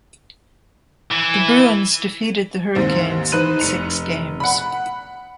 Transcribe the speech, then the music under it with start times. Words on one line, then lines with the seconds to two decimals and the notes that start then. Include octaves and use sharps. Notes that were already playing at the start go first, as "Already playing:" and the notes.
The Bruins defeated the Hurricanes in six games.
1.11 E3
2.75 D#2 G#2 C4
3.32 D#4 B4 C5 F#6 D#7
3.60 F1 C#7 F7
4.40 F#5 B5